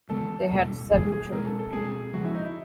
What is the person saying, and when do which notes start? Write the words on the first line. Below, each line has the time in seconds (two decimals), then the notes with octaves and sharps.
They had seven children.
0.09 C#3 E3 G#3 B3 A4
0.50 E2 B2 G3 A#3
0.91 E2 B2 G3 A#3 G#4
1.12 G#4
1.32 B2 G#3 C4 A#4
1.46 A4
1.59 A4
1.73 B2 G#3 C4 G#4
2.14 C#3 F3 G#3 F#4
2.24 E4
2.35 D#4
2.45 E4